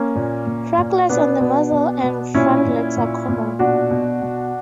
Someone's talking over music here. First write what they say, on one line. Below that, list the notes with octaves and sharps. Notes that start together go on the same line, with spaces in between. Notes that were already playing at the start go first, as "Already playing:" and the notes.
Freckles on the muzzle and front legs are common.
Already playing: A#3 C#4
A#2
A#2
A#2
B2 B3 D4
B2
B2
B2
A#2 C#4 E4
A#2
A#2
A#2
B2 D4 F#4
B2
B2